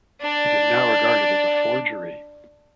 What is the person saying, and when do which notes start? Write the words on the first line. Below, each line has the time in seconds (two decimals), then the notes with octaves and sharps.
It is now regarded as a forgery.
0.21 D4 D5